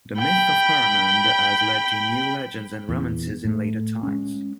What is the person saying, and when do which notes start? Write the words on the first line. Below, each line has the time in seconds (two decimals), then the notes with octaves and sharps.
The myth of Pharamond has led to new legends and romances in later times.
0.18 G5 B5
2.89 E2 A#2
3.45 A2 A3
4.03 G#3 C#4